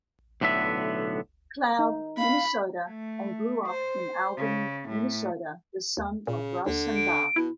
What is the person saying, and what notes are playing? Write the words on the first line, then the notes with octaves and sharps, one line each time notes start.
Cloud, Minnesota and grew up in Albany, Minnesota, the son of Russ and Barb.
B1 A2 D3 B3 E5
D#4
F5 B5
A3
C5
C#3
A2
D#2
A#2 C#3
D#2 D3
D7
B2 E4